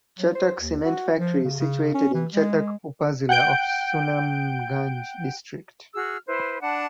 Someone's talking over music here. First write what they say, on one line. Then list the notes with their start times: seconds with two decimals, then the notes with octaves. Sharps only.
Chhatak Cement Factory is situated in Chhatak Upazila of Sunamganj district.
0.19 F#3
0.35 C5
0.60 D#2
0.85 F#4
1.17 F3
1.44 C#3
1.60 C#3
1.94 C#4
2.14 E3
2.33 G#3
3.29 F#5 G5 G6 D7
5.94 F#4 G#4 E6 F6
6.26 E4 B4 C5
6.62 D4 F#5 A5 B5